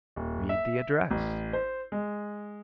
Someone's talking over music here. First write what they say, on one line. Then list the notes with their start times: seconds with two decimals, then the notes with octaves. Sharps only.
"Read the address."
0.16 D#1
0.49 E5
1.11 A1
1.53 C5
1.92 G#3